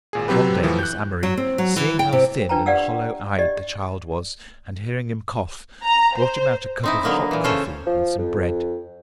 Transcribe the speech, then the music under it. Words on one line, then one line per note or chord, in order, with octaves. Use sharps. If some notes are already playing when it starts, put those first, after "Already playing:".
One day Miss Amory, seeing how thin and hollow-eyed the child was, and hearing him cough, brought him out a cup of hot coffee and some bread.
G#1 A#2 G#4
C3 F#3 C4 G4 B4
A2 E3 F3
F#6 G6
F#3
C4
F#3
E3
G5
C3
D4 F4 B4 G5 A5 A#5
G4 B4 D5 F5 F#5 E6
G4 D5 D#5
A#5
C5
C4 D#4 E4
D3 F#3 A#3 B3 D#4
A#2 E3
C#3 F4 A4 C5 C#5
F3
F2